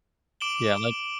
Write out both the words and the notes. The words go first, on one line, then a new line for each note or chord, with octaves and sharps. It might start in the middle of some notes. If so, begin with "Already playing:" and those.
Yeah, like
D6 D7 E7 F#7 G7